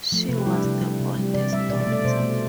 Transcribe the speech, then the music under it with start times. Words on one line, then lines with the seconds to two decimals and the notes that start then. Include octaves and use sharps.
She was the oldest daughter.
0.12 F3 A3
0.29 C3 B4
0.38 G4
0.46 G3 E4
0.56 D4
0.64 C3 E4
0.81 G3
1.00 C3
1.17 G3
1.34 C3 D5
1.53 G3 E5
1.69 B2 D5
1.81 D5
1.87 A3
1.92 D5
2.05 B2 C5
2.22 A3